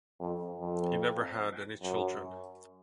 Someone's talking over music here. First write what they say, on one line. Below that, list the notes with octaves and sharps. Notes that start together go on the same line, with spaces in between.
He never had any children.
F2
F2
F#2